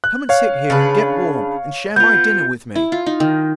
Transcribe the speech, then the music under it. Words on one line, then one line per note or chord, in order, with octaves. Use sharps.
Come and sit here and get warm, and share my dinner with me.'
F#6
C#5 F5
C#3 D4 B4
B3 F4 G6
E4
F4
D#4
D#3